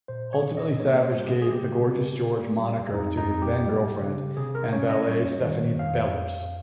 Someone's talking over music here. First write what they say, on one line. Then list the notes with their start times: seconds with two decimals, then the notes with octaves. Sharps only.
Ultimately, Savage gave the Gorgeous George moniker to his then-girlfriend and valet Stephanie Bellars.
0.08 A#2 C5
0.33 C#5
0.45 A#2
0.57 D#5
0.80 A#3 C#5
1.03 C5
1.15 G3
1.23 G4
1.28 G#4
1.42 G#4
1.51 C#3 G4
1.88 C#3
2.23 A#3
2.59 G3
2.94 F2 D#4
3.17 D#4
3.29 F2
3.42 G4
3.65 G3
4.01 C#3
4.37 C3 G#4
4.55 A#4
4.73 C#4 C#5
4.89 D#5
5.07 G3 C#5
5.44 D#3
5.79 F2 F5
6.14 F2